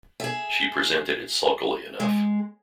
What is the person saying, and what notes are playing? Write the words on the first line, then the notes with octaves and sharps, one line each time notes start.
She presented it sulkily enough.
G#4 E5
G#3